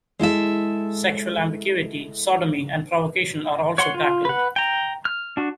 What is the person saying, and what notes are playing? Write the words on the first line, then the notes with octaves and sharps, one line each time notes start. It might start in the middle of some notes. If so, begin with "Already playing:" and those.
Sexual ambiguity, sodomy and provocation are also tackled.
G#3 E4 A4 E5
C#5 F#5 C6
F4
B4 F#5
G5 A#5
F6
D4 F#4